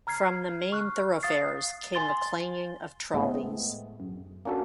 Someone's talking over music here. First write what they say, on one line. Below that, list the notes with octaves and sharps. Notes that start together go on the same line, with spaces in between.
From the main thoroughfares came the clanging of trolleys.
A#5 F6 G#6 C7
C#6 F6 F#6
F5 D#6 A6 C7
G#5 C6 A6 G7
A2 G#3 A3 B3 C4 G#4
F#2
A#3 C#4 D4 F#4 A4